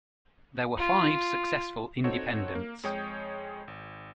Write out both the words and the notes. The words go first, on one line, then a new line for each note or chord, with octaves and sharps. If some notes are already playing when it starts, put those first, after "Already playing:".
There were five successful independents.
F4
C4 D#4 F#4 A4 C#5
A#3
F2 G#3 C#5 G5 D#6 G6
G#1